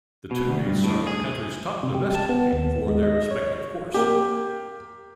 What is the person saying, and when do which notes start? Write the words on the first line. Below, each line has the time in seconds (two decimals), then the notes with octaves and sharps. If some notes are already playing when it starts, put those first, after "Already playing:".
The two meets are the country's top domestic meet for their respective course.
0.31 B2
0.49 D2
0.65 G2
0.84 A2
1.07 G#4
1.83 C3
1.95 G4
2.15 A5
2.29 B3
2.53 D#2
2.88 G#3
3.03 D#5
3.31 C#5
3.94 A#3 G4